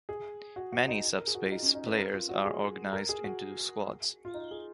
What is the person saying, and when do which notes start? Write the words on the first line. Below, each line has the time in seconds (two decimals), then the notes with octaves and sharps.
Many "SubSpace" players are organized into squads.
0.09 G#4
0.56 F#4
0.72 F#4
0.88 D#4
1.19 A#4
1.27 G#4
1.35 F#4
1.43 F4
1.51 D#4
1.63 C#4
1.75 D#4
1.87 B4
1.98 A#4
2.14 F4
2.29 F#4
2.45 G#4
2.93 A#4
3.09 G#4
3.24 F#4
4.25 F4
4.34 D#4
4.51 G#4